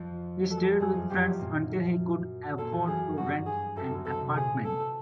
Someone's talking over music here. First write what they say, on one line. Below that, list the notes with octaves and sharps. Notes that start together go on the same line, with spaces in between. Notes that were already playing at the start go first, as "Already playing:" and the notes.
He stayed with friends until he could afford to rent an apartment.
Already playing: F2 F3
A4
F2 F3 G#4
F#2 F#3
F2 F3 G4
F#2 F#3
A#2 A#3
A#2 A#3 A4
E2 E3
F#2 F#3 G#4
G2 G3 F#4
G#4
F#2 F#3 A4
D2 D3
D2 D3 A4
C2 C3
A#2 G#4
B2
A4